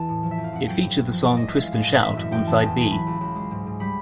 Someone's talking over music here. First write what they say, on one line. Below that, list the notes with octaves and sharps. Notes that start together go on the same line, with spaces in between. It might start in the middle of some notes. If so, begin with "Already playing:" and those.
It featured the song "Twist and Shout" on Side B.
Already playing: E2 E3 A5
A2
F3
E5
F2
F5
F2 F#5
F#3 G5
G2
G2
F3
E2 D5
D#5
G#3
E5
G#3 F5
A2
A2
D#5
E3 E5
F#2 E5
F#2 G5
E3 A5
E2
E2
F#3 B5
C#2
C#2
G#3
G#2
G#2
G3 B5